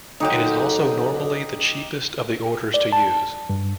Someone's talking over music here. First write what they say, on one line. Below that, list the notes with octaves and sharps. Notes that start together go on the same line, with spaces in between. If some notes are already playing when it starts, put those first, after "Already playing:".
It is also normally the cheapest of the orders to use.
D3 F#3 D#4 G4
D5
A5
G2